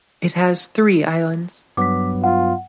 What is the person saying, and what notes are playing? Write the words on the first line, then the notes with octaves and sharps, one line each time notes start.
It has three islands.
G2 F#3 B3 D6 B6
F4 F#5